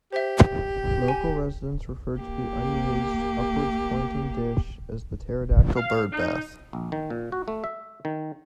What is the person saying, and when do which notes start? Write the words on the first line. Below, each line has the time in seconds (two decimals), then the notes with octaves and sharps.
Local residents referred to the unused, upwards-pointing, dish as "the Pterodactyl Birdbath".
0.13 G4 C5 E5
1.08 G#5
2.18 A#3 G4
5.76 F5
6.12 D#4
6.73 A#1
6.92 D#3
7.10 A#2
7.32 F#4
7.48 A3
7.64 E5
8.05 D#3